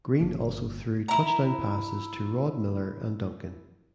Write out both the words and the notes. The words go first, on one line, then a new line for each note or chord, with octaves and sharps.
Green also threw touchdown passes to Rod Miller and Duncan.
G1 A#3
E4 A#5